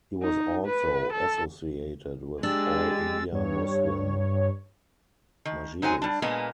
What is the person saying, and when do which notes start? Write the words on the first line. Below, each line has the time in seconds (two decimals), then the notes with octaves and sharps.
He was also associated with All India Muslim Majlis.
0.22 D#4
0.66 B4
1.12 A4
2.43 G#3 D4 G4 E6 A6
3.32 G2 C#5
5.45 D#3
5.82 F#3 D#4 C5 F#5 G#5
6.02 G3 D4
6.22 A#2 G#3 A#3 B3